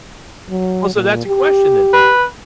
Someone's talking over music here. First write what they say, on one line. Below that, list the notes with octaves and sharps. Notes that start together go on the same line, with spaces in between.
Well, so that's a question then.
F#3
A#2
G4
B4